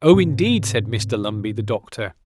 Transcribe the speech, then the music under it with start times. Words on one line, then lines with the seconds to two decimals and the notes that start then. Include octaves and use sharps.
'Oh, indeed!' said Mr Lumbey, the doctor.
0.13 G#2 C3 C4